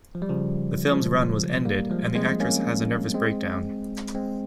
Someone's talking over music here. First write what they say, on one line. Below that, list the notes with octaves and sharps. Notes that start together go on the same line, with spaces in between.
The film's run was ended and the actress has a nervous breakdown.
F3
G3
C#3 F3
F3 G#3
G3 A#3
F3 G#3
G#3 C4
A#3 C#4
G#3 C4
G#3 C4